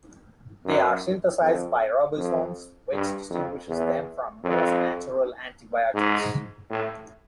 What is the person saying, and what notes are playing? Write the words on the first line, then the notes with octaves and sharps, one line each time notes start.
They are synthesized by ribosomes, which distinguishes them from most natural antibiotics.
F#2
F2
F2
G2
F2
E2
F2
G#2
A2